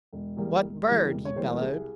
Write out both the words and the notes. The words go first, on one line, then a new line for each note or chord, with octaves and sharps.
"What bird?" he bellowed.
E1
E2 E3 G3 A#3
E1
E2 E3 G3 A#3
E1
C#5
E2 E3 G3 A#3 C5
A#4
C2 G#4